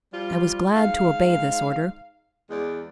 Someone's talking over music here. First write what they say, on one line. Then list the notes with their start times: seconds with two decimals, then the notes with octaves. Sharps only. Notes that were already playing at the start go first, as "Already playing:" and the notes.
I was glad to obey this order.
0.12 F3 G3 F4
0.75 G#2 F5
2.50 E2 G#3 D5